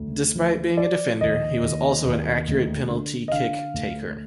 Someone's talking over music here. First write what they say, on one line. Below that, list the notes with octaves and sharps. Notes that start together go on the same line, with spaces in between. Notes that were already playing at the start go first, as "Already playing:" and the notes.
Despite being a defender, he was also an accurate penalty kick taker.
Already playing: D2
F3
F3 D5
D#2 D#5
D#2
D#2
D2
D3
D#5
D3 F5
D2